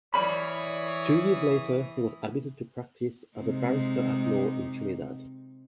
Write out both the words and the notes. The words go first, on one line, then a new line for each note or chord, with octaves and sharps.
Two years later he was admitted to practice as a barrister-at-law in Trinidad.
E3 C#5 D5 B5 D#6
C3 G#3 D#4